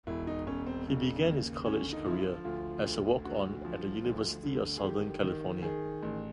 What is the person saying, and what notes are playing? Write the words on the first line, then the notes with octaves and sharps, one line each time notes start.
He began his college career as a walk-on at the University of Southern California.
E1 E4
D#4
E1 C#4
C4
C#3
D#2
D3 C#4
D#4
F3 E4
F4
D2 F4
D2
D3 F#4
F3
D2
D3
G#4
D#3 G4
D#3
D#3 G#4
A1